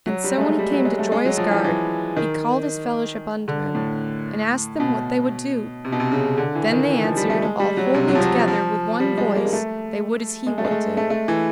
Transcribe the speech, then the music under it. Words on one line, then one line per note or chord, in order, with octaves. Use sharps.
And so when he came to Joyous Gard he called his fellowship unto him, and asked them what they would do Then they answered all wholly together with one voice they would as he would do.
F#3
G3
A3
G#3
G3
F#3
G#3
A3
G#3
F#3
F3
E3
E3
D#3
D3
A2
B2
C3
B2
C3
C#3
D3
E3
D#3
E3
F3
G3
A3
G#3
G3
F#3
C3
F#3
F3
F#3
F3
F3
G3
G#3
A#3
A#3
A3
G#3
A3
G#3
A3
A3
A3
E3